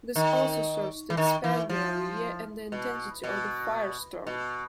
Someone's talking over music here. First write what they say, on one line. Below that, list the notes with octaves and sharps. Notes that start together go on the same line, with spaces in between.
This also serves to expand the area and the intensity of the firestorm.
D#3
E3
D#3
E3
F3
B2
B2
B2